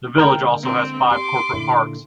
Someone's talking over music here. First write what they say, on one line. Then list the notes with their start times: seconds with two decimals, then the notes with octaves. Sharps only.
The village also has five corporate parks.
0.18 D3 G#3 A#3 A#4 G5
0.63 C4
1.11 G4 C6 D6
1.53 A#2 D3 E4